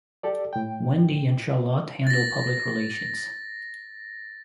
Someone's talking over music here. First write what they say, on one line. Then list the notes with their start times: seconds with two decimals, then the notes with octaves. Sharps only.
Wendy and Charlotte handle public relations.
0.23 G4 A4 D5
0.53 A2 G5
2.07 A6 A#6